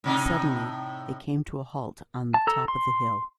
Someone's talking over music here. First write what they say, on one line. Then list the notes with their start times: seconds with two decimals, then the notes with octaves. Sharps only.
Suddenly they came to a halt on top of the hill.
0.04 A2 C3 D#4
2.34 A5
2.47 A4 A#5 E6
2.68 C6